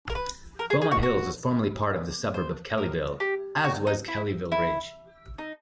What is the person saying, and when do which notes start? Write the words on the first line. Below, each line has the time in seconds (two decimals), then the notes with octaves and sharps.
Beaumont Hills was formerly part of the suburb of Kellyville, as was Kellyville Ridge.
0.10 A#4
0.15 B4
0.59 A#4
0.70 G#4
0.82 G#4
0.92 F#4
1.03 F#4
2.34 C5
2.78 A#4
3.20 G4
3.64 F#4
3.87 D#4
4.08 E4
4.52 E4
5.38 D#4